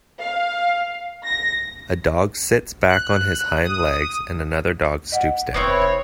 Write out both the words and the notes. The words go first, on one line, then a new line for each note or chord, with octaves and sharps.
A dog sits back on his hind legs and another dog stoops down.
F5
A#6
F#6
D#6
D#5 F#5
F1 B3 C4 E4 C#5